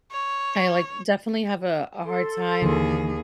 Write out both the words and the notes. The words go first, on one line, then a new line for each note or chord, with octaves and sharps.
like definitely have a a hard time
C#5
A4 C6
D#2 D3 E3 G#4